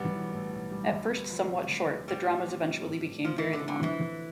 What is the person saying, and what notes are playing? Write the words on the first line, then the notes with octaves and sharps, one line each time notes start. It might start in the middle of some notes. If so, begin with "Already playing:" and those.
At first somewhat short, the dramas eventually became very long.
Already playing: B1 G3 B3
E3
A2
B1
G3
D2
B3
F3
C3
D2
B3
A2 G3
A2
C4
F3
A2
A2
D2 F3
E3
B3
D3
D3 F3
C3 E3
D2